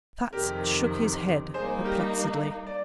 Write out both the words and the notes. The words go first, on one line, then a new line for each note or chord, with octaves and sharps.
Platts shook his head, perplexedly.
F2 C3 D#3 G4 A#4
G3 A#3 D#4 G#4 C5
G4 A#4
D5